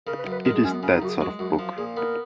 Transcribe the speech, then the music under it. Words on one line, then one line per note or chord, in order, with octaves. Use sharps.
"It is that sort of book.".
C#3 A#4
B4
F#2
B4
G#3 A#4
G#4
F#2 C#4
B3
C#3 C#4
D#4
F#2 F#4
G#4
G#3 F#4
F#2 F#4
F3
A#2 G#4
B3 A#4